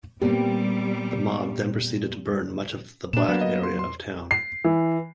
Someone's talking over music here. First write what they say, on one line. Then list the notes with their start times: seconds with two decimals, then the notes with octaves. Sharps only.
The mob then proceeded to burn much of the black area of town.
0.22 A#2 G3 B3 C4 G4
3.13 A#2 D4 E7
3.28 F#3 A#3 B3
3.41 D#5
3.63 C6
3.79 C6
4.31 C7
4.64 E3